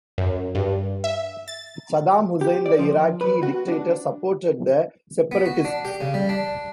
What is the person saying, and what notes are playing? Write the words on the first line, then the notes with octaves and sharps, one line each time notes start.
Saddam Hussein, the Iraqi dictator, supported the separatists.
F#2
G2
E5
A6
G4
D5
F3
B4
F#4
D4
B3
F#4
D4
G4
C#3
G3
D4